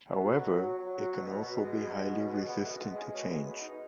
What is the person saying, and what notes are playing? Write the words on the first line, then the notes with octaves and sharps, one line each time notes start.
However, it can also be highly resistant to change.
B2
F#3
F#3
F#3
F#3
B2
B2
G#3
B2 B3
B3
B2
C#4
G#3 B3
B2 B3
A3
G#3
B3
G#3 C#4
B2 C#4
A3
B2
B3
G#3
D#4